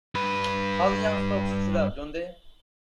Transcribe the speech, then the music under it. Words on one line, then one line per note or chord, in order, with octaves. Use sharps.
How the young folk shoot up, don't they?
G2 B4